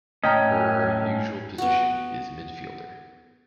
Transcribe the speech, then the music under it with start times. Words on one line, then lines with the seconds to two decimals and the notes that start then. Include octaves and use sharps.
Her usual position is midfielder.
0.24 A2 C#4 D#5 G5 A#5
1.58 B3 F#4